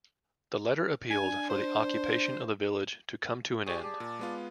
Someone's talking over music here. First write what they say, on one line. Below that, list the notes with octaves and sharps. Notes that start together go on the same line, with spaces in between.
The letter appealed for the occupation of the village to come to an end.
D4 G#5
C5
G4 G#4 D5 G5 C#6
D5 A5 D6
A#2
G#3 B3 F4